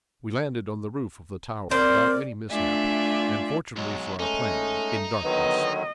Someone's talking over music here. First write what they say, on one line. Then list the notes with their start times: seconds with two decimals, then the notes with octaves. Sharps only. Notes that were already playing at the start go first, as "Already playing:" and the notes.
We landed on the roof of the tower without any mishap, and fortunately for our plan, in darkness.
1.71 C4 A#4 C5 D5
2.50 A3 D4 F4 D5 E5 G#5
3.77 B1 F#3 G#3
4.20 G#3 A3 C#4 D#4
5.24 D3 D#3 F#3 B3 D#5